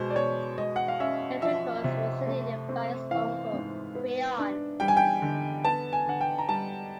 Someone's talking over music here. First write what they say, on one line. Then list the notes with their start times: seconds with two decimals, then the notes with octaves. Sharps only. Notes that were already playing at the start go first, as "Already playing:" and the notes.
Eteocles was succeeded by his uncle, Creon.
Already playing: B2 G#3 C5
0.10 D5
0.16 B2 C#5
0.58 G#3 D#5
0.76 F#5
0.88 F5
1.00 C#4 E5
1.42 F3 E5
1.84 C3
2.27 A3
2.69 C4
3.11 E3 F5
3.53 G#2
3.95 B3
4.38 D4
4.80 G3 G5
4.88 G#5
4.97 G5
5.22 D3
5.64 B3 A5
5.93 G#5
6.06 D3 F#5
6.21 G5
6.38 A#5
6.48 G3 A5